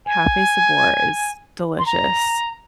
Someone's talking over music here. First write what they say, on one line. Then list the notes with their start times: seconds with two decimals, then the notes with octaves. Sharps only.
Cafe Sabor is delicious.
0.06 G#5
1.79 C6
1.86 A#5